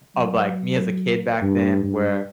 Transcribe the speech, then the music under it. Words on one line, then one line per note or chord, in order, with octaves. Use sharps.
of, like, me as a kid back then where
F#3
G2
G2